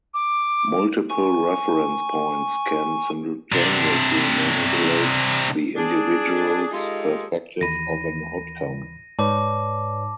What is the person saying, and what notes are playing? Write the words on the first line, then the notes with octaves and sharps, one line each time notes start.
Multiple reference points can simultaneously manipulate the individuals perspective of an outcome.
D6
G#5 C#6
C3 D4
D4 G#4
G#3 D#4 F4 G4 A4
D#2 E3 B5 A#6 D#7
G#2 B4 C#5 D5 A5 D6